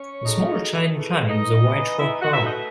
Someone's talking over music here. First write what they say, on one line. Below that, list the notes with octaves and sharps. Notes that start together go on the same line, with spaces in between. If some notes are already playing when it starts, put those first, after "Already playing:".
The small child climbs a white rock wall.
Already playing: C#4 C#5
C#3 F#3 A3 D#4
C#3 E3 A3
D#4 D#5
E3 B3 D#4
E4 E5
F#4 F#5
B2 A3 D#4 E4 E5
D#4 D#5